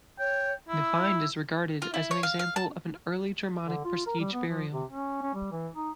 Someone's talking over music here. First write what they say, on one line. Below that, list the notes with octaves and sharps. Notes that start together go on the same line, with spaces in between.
The find is regarded as an example of an early Germanic prestige burial.
C#5 G5
E4 E6
F4
E4
C#5
F5
F5
A5
D3
F4
A#4
G3
B3
F3
C3
C#4
C#4
G3
E3
D#4